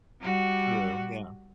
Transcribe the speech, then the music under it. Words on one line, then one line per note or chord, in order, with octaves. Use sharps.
True, yeah.
G3 F#4